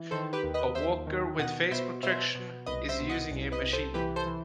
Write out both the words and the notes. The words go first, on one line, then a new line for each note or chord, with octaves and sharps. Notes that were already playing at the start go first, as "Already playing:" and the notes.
A worker with face protection is using a machine.
Already playing: E3
D#3 A4 C5
G4 B4
D#2
B4 D#5
D#2 C5 E5
D#3
B2 D#5 F#5
B2 C5 E5
B2 C5 E5
B2
C2 B4 D#5
C5 E5
B2
D#5 F#5
C2
B4 D#5
C2
A4 C5
E3 G4 B4
A4 C5
E3